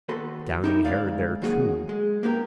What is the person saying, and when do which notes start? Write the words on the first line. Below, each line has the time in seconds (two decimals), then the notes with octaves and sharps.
Downy hair there too.
0.09 D#2 B3 F#4 A4 B5 C6
0.64 D#4 E4 G4 G#4 A#4 C#5
0.85 D2 G#3 E4 D5 F5
1.42 F#2 D#3 A#3 F#4 G#4 F#5
1.89 G#3
2.23 A#3 B3 G4 A#4